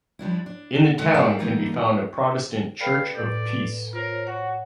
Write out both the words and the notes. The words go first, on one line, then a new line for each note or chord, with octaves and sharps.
In the town can be found a Protestant Church of Peace.
F3 G3 D4 E4
D4
G#3 A4 F#5
A4 A#4 D5 E5 F5 G5
E3 G3 A3 A#3 D#4
A4 B4 D5 F5 G5 B5
A2 D5 G6
F4 A#4 C5 C#5
F#4 C#5 F#5